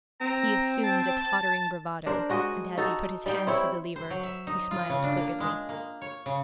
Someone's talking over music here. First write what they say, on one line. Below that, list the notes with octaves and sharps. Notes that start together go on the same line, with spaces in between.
He assumed a tottering bravado, and as he put his hand to the lever, he smiled crookedly.
C4 A#5
A5
D4 A#4 C5
G#3 F#4 D#5
D#4 F#4 A4
G3 D#4 G5
C4 E4 C#5
C5
F#3
E5
D#4
F4
C#3
D4
A#3
G#3
A#3
C#5
C#3